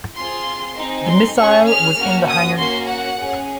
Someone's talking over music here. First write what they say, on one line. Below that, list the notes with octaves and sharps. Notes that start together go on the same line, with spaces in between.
The missile was in the hangar.
C4 F4 G#4 C6
C4 D#4 G#4
C6
C#4 G#4 C#6
F6
A#3 C#4 F#4
D#6
A#3 C#4 F#4 C6
F#5
C#4 G#4